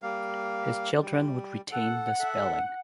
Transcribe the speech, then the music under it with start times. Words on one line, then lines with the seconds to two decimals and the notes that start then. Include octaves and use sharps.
His children would retain the spelling.
0.02 G3 A#3 F5
1.02 G3
1.72 A4 F#5
2.19 A4 E5